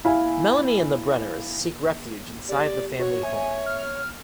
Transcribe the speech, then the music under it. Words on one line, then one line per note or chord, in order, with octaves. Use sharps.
Melanie and the Brenners seek refuge inside the family home.
E4 F5 G#5
G4 D5
F#4 C#5
E5 G#5
F6